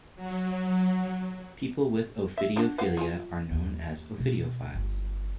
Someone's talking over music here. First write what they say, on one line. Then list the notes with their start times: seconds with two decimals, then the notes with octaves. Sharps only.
People with ophidiophilia are known as ophidiophiles.
0.16 F#3
2.37 E5
2.56 D4 F#4
2.78 B4 F5 F#5
2.97 F4 G#5
3.51 D#2
4.18 B2
4.74 G1